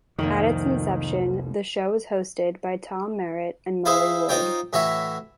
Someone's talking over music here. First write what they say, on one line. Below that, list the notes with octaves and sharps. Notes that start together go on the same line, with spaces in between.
At its inception, the show was hosted by Tom Merritt and Molly Wood.
F1 C2 D#3 A#3
E4 G#4 B4 C5 F5
D#4 F4 C5 C#5 G5
A2 E3 F#4 C#5 E5 C#6